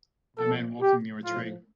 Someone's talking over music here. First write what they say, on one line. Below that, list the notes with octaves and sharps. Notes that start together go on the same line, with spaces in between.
A man walking near a tree.
A#2 F3 A4
G4
A2 F3 F4